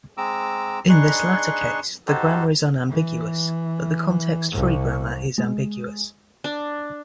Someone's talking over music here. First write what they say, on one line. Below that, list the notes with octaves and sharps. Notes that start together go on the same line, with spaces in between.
In this latter case the grammar is unambiguous, but the context-free grammar is ambiguous.
G#3 C4 A#5 D6 E6
D4 D#4 G#4 B4 C6 C#6
D#4 F#4 G4 A4 C5
E3
C2
G#3
D4